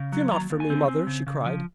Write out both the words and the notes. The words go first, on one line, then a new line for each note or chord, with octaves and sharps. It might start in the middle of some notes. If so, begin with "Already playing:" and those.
'Fear not for me, mother,' she cried.
Already playing: C#3
F#3
D#2 A#5
D#2
G#5
C4
C4
C#3
C#3
F3